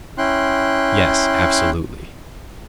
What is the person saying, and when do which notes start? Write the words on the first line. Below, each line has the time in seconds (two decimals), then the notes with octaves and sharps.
"Yes; absolutely."
0.18 C#4 E4 G5 C6 F#6